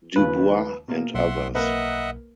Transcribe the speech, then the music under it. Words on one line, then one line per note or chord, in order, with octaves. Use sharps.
Du Bois and others.
D#2 C#3 F3 B4
B2 A#3
B1 E5 F#5 C6
A#3 A#4 B4 D#5 E5 F#5